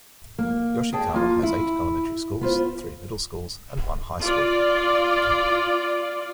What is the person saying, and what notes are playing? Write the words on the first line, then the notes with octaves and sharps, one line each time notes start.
Yoshikawa has eight elementary schools, three middle schools and one high school.
A#3
G#4 D5 G5 A5
A#3 F4
E4
B3 F4 C5
F4 D5